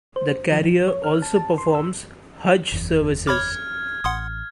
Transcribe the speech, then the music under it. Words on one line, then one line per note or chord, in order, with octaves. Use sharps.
The carrier also performs Hajj services.
C5
F3
C#5
F6
A5
A5
C6
E6
F#1 E2
C#5 B5 D6 F6 G#6
A1 F#5 C6 D#6